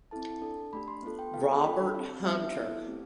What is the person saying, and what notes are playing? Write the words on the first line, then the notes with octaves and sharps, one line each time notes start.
Robert Hunter.
C4 E4 A4 A5
D4 A4
A3 D4 G4 B5
C6
B3 F4 A4
G5
B3 F4 A4 F5
G5
D4 F4 A4 B5
C4 G4 F5
B3 D4 G4 E5
E5
B3 E4 A4 F5
A3 C4 G4